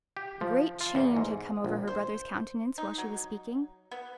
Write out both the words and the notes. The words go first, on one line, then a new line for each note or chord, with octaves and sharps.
A great change had come over her brother's countenance while she was speaking.
G4
F3
F4
E2
G#2
A#1
C5
D#4
F#3
B3